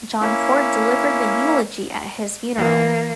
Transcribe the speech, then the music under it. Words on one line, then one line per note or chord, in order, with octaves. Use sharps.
John Ford delivered the eulogy at his funeral.
A#3 C#4 E4
E3 A#3